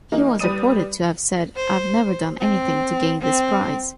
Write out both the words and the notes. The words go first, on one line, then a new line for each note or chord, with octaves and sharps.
He was reported to have said, I've never done anything to gain this prize.
E3 A#3 D#4
G3 B4 D5 D#6 D#7
C5
C4
C4